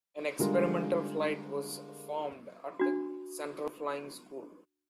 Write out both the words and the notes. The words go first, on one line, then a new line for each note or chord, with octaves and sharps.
An "Experimental Flight" was formed at the Central Flying School.
D3 G3 G#3 F4 A#4
D4 F#4